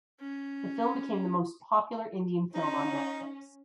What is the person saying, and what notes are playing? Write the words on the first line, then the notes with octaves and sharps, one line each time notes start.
The film became the most popular Indian film on Netflix.
C#4
C#4 D#4